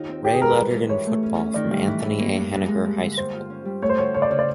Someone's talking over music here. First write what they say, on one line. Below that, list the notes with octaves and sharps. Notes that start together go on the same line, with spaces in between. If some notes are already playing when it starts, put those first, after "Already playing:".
Ray lettered in football from Anthony A Henninger High School.
Already playing: D#2 D#4 F4
C4
C4 G4
G#4
G#2 A#4
B4
G2
G#3
E3 C#5
A3
C#4
C#4
D#3 D5
G3
E3
A2
A#3
G2
G2
G#3
G2
D3
G3 C5
F4
C#4
G3
A3 C#5
C5
D2 C#5
C#3 C#5
D5
C#3 C#5
D5